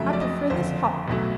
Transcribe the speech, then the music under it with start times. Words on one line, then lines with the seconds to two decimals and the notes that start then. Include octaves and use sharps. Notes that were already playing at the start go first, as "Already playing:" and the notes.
I prefer this hock.'
Already playing: F2 C#3 F#3 A3 E5
0.13 D5
0.21 D#5
0.50 F#1 F2 D3 C5
1.08 B1 B2 F#3 A3